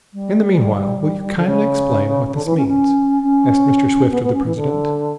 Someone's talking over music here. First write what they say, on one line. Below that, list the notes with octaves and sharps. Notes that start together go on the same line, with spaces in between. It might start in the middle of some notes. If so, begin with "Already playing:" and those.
"In the meanwhile will you kindly explain, what this means?" asked Mr. Swift of the president.
G3
D3
C#3
D3
E3
C#4
C#4
C#4
B3
B3
C#4
E3
D3